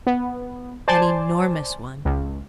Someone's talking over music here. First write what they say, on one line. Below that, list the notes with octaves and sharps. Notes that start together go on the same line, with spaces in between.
"An enormous one."
B3
C5 D5 G#5 A5 C6
C#2